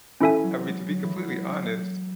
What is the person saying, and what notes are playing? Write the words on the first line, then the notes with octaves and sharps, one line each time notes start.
I mean, to be completely honest
E3 C#4 E4 A4 E5 G#5
F#3
G#3
F#3
E3
F#3